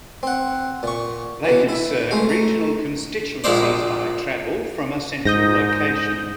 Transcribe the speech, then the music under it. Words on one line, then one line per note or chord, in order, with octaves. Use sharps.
They can serve regional constituencies by travel from a central location.
C4 F#5
A#2 C#6
B2 E3
E4 E5
G#3 A3 F5
A3 A#5
A#1 A#2 G#3 E4 C5 D5
G#2 D#6 G6 A#6